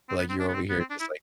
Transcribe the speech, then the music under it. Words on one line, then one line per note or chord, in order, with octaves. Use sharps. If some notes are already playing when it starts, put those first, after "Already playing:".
Like, you're over here just, like,
C4
B3
C4
D4
B3
C4
B3
C4
D4
E4